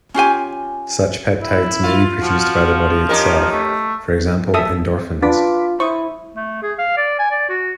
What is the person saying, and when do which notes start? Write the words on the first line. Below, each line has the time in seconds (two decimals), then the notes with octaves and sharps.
Such peptides may be produced by the body itself, for example endorphins.
0.14 C#4 F4 G4 G#5
1.40 E4
1.83 F4
2.21 F3 F#4
3.09 C#4 D#4 G4 A#4
3.51 A3
4.54 A4 E5 D#6
5.23 D4 F4 B4 D6 B6
5.80 E4 C5 C#6 D#6
6.36 A3
6.63 G#4
6.79 F5
6.97 D5
7.19 G#5
7.31 D5
7.50 F#4